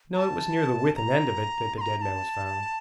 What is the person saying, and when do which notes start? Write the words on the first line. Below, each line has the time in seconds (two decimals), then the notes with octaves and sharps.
"No; it was near the Withan end of it that the dead man was found."
0.14 A#5
0.17 A5
0.96 A#5
1.77 C6
1.81 A#5
1.98 A#5
2.02 A5